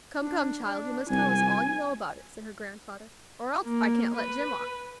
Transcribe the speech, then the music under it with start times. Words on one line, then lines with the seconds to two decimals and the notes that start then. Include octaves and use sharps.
"Come, come, child, you must tell us all you know about it," said her grandfather, "or else I can't let Jim off."
0.21 D4
0.64 D4
1.10 C2 G#5
3.64 A#3
4.15 B4